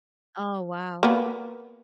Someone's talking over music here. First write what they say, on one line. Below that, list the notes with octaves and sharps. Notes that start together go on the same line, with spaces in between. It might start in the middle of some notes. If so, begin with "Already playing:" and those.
Oh, wow.
A#3 B3